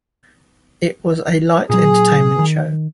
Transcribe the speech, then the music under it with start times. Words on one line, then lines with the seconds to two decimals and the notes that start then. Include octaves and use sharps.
It was a light entertainment show.
1.70 A#2 F#3 G#4
2.39 D#3